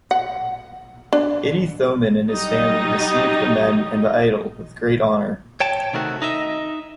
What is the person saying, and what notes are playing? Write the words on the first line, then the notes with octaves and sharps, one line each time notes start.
Itty Thommen and his family received the men and the idol with great honour.
F#5
D4
F#3 G3 D#4 D#5
C#5 G5 A5
C3 D#3 A3 F#4
D#4 D#5 E5